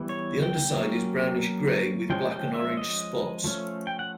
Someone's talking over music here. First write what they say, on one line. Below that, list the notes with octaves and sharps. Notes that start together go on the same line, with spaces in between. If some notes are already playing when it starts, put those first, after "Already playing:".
The underside is brownish grey with black and orange spots.
Already playing: E3 G3 B3
C#5
G5
F#3 A#3 C#4
F3 G#3 C#4 G5
G5
E5
D#5
F3 A3 C#4
G5
F#5